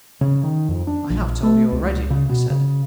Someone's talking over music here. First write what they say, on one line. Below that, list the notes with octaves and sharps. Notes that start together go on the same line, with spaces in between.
"I have told you already," I said.
C#3
D#3
F2
D4
A#1
A3
C#2
C#3
B2
C#3